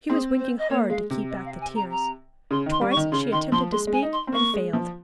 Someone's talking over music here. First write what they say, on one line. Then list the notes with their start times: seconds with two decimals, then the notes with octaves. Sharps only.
She was winking hard to keep back the tears. Twice she attempted to speak and failed.
0.09 C4 G#4
0.39 C5
0.58 D#5
0.70 A#3 C#5
0.90 G#3 F5
1.10 C3
1.30 D#5
1.45 F5
1.61 G#5
1.75 A#5
1.91 A#5
2.51 C#3 C6
2.66 D#3
2.71 C6
2.81 G3
2.91 C#6
2.97 D#3
3.12 C#3 C6
3.32 D#3 C6
3.52 F3 C6
3.72 G#3 C6
3.87 G#3
3.92 G#5
4.02 D#4
4.13 C6
4.27 C4
4.33 A#3 C#6
4.54 G#3
4.73 F3